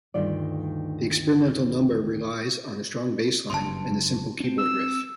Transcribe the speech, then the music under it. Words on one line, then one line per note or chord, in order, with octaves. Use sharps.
The experimental number relies on a strong bass line and a simple keyboard riff.
D2 G2 D#3 F4 D5
F#1 G2 A5 C6
C4 C#4
E6